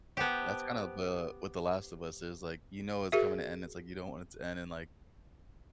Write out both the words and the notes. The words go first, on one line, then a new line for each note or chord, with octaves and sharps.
That's kinda the what The Last of Us is, like, you know it's coming to end, it's, like, you don't want it to end, and like,
B3 G4 C5 F#5 A5
F#4 G#4 A#4 E5